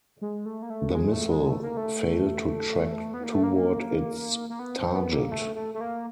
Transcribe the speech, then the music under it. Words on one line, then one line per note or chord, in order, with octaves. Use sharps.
The missile failed to track toward its target.
G#3
A3
A#3
A3
G#3
A3
G#3
A3
A#3
A3
B3
A#3
A3
A#3
A#3
B3
C4
B3
A#3
A3
A3
A3
A#3